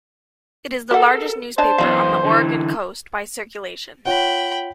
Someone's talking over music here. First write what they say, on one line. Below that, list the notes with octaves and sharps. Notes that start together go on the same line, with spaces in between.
It is the largest newspaper on the Oregon coast by circulation.
F#4 A4 A#4 E5 F#5
D4 C5 C#5 D#5 A5
F#2 E3 B3 D4 F4 F5
D3 E3
F4 C#5 F#5 G5 B5